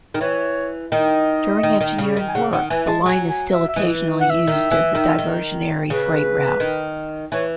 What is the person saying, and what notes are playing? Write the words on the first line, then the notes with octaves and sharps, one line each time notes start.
During engineering work, the line is still occasionally used as a diversionary freight route.
D#3
E3 C#5
D#3 D#5
D#3
D#3
C#3
D#3
G#5
C#3 F#5
D#3 F#5
E3 G#5
G#3 A5
F#3 G#5
G#5
E5
E5
E3 D#5
F#5
E5
D#3
E3
D#3
D#3
C#3 B4
D#3
E3 C#5